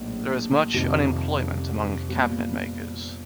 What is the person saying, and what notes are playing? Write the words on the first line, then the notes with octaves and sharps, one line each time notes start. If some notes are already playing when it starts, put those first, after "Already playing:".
There is much unemployment among cabinetmakers.
Already playing: A#1 A2 F#3 B3 D#4
F2 C3 D#3 G3
A#2 G3 B3